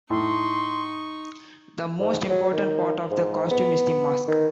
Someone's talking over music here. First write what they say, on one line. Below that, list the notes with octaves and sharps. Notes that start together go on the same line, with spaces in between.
The most important part of the costume is the mask.
A2 D#4 C6 C#6
G#2
F#3
D#3
G#2
B3
D#3